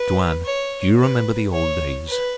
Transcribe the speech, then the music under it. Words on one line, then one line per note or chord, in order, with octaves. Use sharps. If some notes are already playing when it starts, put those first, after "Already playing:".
Tuan, do you remember the old days?
Already playing: B4
C#5
B4
C#5
B4